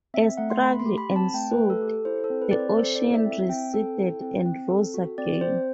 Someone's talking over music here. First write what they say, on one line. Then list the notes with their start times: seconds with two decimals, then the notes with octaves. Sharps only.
A struggle ensued; the ocean receded and rose again.
0.14 C4 E5
0.37 A3 F#5
0.50 C6
0.61 A3 B5
0.80 C6
0.86 G4
0.98 B5
1.10 C4
1.16 A5
1.34 A3 G5
1.51 B4
1.58 A3
1.70 A4
1.82 G4
1.88 A4
2.05 E4 C5
2.24 A4
2.30 C4
2.42 B4
2.51 D5
2.54 C4 C5
2.77 A4 C5
2.96 D5
3.02 E4
3.14 E5
3.26 C4
3.31 E5
3.49 C4 G5
3.74 A4
3.97 E4
4.21 C4
4.46 C4
4.70 A4
4.94 F#4
5.18 C4 D5
5.41 C4 C5